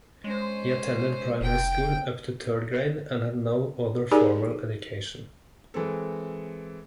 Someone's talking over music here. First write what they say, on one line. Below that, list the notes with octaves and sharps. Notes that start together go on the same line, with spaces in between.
He attended primary school up to third grade and had no other formal education.
G#3 C#4 C5
F1 G5
D#4 G4 G#4 A#4 D5 G#5
E3 G#3 C4 A4